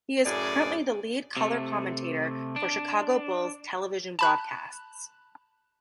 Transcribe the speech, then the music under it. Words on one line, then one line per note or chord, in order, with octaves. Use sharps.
He is currently the lead color commentator for Chicago Bulls television broadcasts.
F#2 A2 G#4 D5
C3 A3
D4
A5 B5 F#6